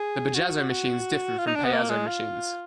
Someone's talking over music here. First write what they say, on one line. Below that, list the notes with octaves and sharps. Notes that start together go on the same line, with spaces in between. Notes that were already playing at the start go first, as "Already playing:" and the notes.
The bajazzo machines differed from payazzo machines.
Already playing: G#4
F#4
F#4
F4
D#4
D4
B3
A#3
G#3
F4